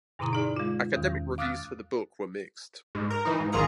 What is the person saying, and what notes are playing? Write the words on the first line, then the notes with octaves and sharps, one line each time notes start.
Academic reviews for the book were mixed.
G2 B2 D3 E4 A#5 D#6
D#4 G#4 D5
G#3 F4
E2 D#3
F5 D6 D#6 F6 F#6 A6
G#2
A#4
E3 D#4
G#2
G#1 D#3 F4 G#4 A#5 C#7